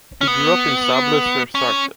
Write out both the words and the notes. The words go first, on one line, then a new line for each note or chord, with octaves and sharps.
He grew-up in Sablé-sur-Sarthe.
C#4
B3
C#4